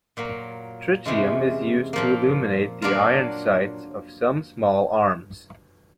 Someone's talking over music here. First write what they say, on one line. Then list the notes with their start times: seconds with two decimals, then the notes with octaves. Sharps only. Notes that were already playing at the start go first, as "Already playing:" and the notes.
Tritium is used to illuminate the iron sights of some small arms.
0.17 A#2 F#3 A#3
1.05 E2 C3 E3 G#3 C#4
1.93 A#2 F3 A#3
2.82 F#3 A#3 D4 F4 A#4